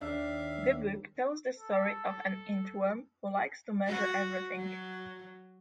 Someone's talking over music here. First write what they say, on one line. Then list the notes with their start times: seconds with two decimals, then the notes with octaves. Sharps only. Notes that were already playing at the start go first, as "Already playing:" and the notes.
The book tells the story of an inchworm who likes to measure everything.
0.01 D#2 D4 E5 F5
1.58 A4
3.87 F#4
4.55 F#3